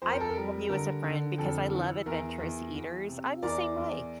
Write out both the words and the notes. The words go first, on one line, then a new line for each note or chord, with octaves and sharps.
I would love you as a friend because I love adventurous eaters. I'm the same way,
F2 C5
A#4
A4
A#4
G3
D3 A#4
D3
F2 A4
E3
E2 A#4
E2
E2
C3
E2 A#4 D5
E2